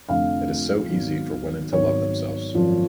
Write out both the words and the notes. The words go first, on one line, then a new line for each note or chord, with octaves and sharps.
It is so easy for women to love themselves.
F1 F2 D3 F3 A3 F5
G#1 G#2 F#3 B3
G#1 G#2 F#3 B3 C#5
G#1 F#2 F3